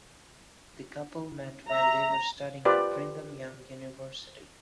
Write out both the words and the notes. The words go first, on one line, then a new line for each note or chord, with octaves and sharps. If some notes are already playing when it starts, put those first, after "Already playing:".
The couple met while they were studying at Brigham Young University.
E5 A#5
F4 G4 B4 C5 D5